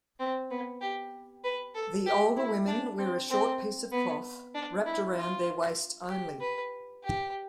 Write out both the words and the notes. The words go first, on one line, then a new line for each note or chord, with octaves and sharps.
The older women wear a short piece of cloth wrapped around their waist only.
C4
B3
G4
B4
A4
G4
E4
D4
C4
C4
B3
D4
E4
F4
G4
B4
G4